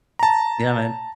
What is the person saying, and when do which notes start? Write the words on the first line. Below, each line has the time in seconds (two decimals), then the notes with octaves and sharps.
Yeah man.
0.19 A5 A#5